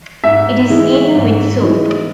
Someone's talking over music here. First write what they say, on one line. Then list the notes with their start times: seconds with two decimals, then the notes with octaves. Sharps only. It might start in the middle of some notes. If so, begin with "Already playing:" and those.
It is eaten with soup.
0.24 G#2 E5
0.70 E3 G#3 D#4
1.15 G#2
1.62 E3 G#3 D#4